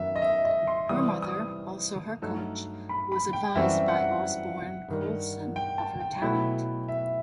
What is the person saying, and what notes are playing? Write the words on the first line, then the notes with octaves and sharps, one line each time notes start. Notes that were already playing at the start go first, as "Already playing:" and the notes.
Her mother, also her coach, was advised by Osborne Colson of her talent.
Already playing: F#2 D#3 F#3 B3 E5
D#5
E5
D#5
C6
C3 E3 G3 D#6
D#6
G2 F#3 A3 D#4 A4
B5
B5
G5
F#2 E3 G3 C4 F#4 E5
F#5
G2 D#3 G3
G5
A5
G5
B2 F#3 A3 E4
E5